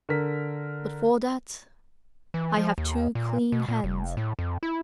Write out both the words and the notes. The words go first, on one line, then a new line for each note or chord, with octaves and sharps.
But for that I have too clean hands.
D3 A#4 B6
E3
F3
D#2
A#2
B2
A#2
F1
A2
F2
E4